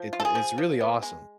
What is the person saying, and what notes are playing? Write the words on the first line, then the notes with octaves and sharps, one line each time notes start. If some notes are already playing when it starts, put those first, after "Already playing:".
It's it's really awesome.
Already playing: F3
F4
A4
G#4
F3
F3
B3
G#3